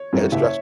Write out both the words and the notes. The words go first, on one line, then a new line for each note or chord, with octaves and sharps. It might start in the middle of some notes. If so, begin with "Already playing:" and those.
Yeah, that's stress
Already playing: C#5
F#2 E3 G#3
F#1 E5
C#5